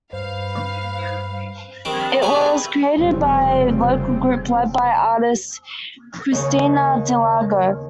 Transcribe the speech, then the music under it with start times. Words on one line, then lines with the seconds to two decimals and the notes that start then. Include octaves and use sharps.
It was created by a local group lead by artist Cristina Delago.
0.13 G2 B4 C5 F5
1.85 D#3 G3 C4 D4
2.22 B2 G4 G#4 B4 G#5
2.98 F1 C#3 G3 C4
6.32 D#2 C#3